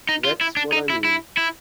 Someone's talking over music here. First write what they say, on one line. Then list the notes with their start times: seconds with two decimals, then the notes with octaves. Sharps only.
That's what I mean.
0.09 D#4
0.25 F4
0.41 E4
0.57 D4
0.73 D#4
0.90 E4
1.05 E4
1.37 E4